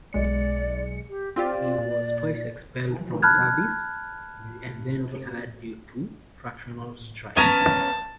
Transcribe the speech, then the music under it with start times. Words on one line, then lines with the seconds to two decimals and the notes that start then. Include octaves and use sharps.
He was twice expelled from service and then re-hired due to factional strife.
0.13 B1 G#3 D5 C#7
1.09 G4
1.36 C4 F4 G4 D5
1.78 A#2
3.22 A5 B5 F6 F#6 G#6
7.36 B3 C#4 A#4 A5